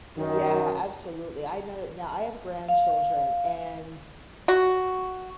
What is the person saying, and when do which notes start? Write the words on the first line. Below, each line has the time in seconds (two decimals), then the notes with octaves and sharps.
Yeah, absolutely, I know that now, I have grandchildren, and
0.16 F#2 D#3
2.69 F5
4.48 F#4